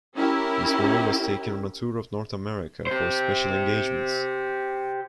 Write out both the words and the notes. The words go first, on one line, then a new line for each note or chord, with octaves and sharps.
This movie was taken on a tour of North America for special engagements.
C#4 E4 G4 A#4
G4 C5